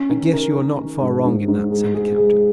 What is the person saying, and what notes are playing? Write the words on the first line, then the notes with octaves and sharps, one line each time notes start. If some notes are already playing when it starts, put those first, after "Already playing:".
"I guess you are not far wrong in that," said the captain.
Already playing: C#4
D#3
A#4
D#3
A#4
G#2
G#2
G#2
G#3
G#4
G#3